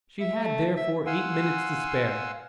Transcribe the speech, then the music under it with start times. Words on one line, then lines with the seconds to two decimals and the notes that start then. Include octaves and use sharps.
She had, therefore, eight minutes to spare.
0.20 E5
0.42 A3
0.77 E5
1.06 F5 F#5 G#5 C6 E6